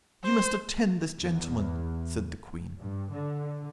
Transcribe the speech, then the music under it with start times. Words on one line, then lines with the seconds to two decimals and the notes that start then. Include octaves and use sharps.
"You must attend this gentleman," said the Queen.
0.24 C5
1.21 E2
2.79 G2
3.11 D3